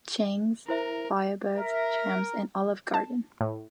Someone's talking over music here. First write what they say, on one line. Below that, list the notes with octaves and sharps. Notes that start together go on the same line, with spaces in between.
Changs, Firebirds, Champps, and Olive Garden.
E4 A#4 C5 E5
A#4 E5
A5
A2